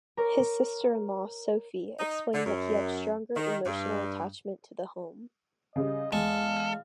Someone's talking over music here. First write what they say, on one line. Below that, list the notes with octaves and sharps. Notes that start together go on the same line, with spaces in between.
His sister-in-law Sophie explained that he had a stronger emotional attachment to the home.
A#4 C#5 D6 F6 A#6
D#4
D3
F#2
D#3
G2
C#3 G3 D#5
E2 G#3 A4 F5